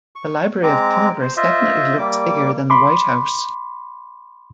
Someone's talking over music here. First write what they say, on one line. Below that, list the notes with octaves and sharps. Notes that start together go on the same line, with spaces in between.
The Library of Congress definitely looks bigger than the White House!
C#6
G#3 C4 A#5 D6
C5
F4 C5 D#5 E5
G3 A#3 D6
B5 C6 D6